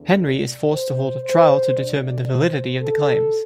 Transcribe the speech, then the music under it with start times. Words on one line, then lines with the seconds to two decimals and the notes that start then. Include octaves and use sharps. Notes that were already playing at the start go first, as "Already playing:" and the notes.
Henry is forced to hold a trial to determine the validity of the claims.
Already playing: E2 D3
0.20 D5
0.72 C5
1.24 C5
1.76 D2 D3 D5
2.28 C5
2.81 A4